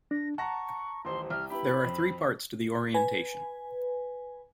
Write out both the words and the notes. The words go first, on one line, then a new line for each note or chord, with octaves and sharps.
There are three parts to the orientation.
D4 A#6
F#5 A5 A#5 C#6 A#6
D#1 A1 C5 C6
C2 F6
B3 E4 G4 B5
F2 C4
B4 G#5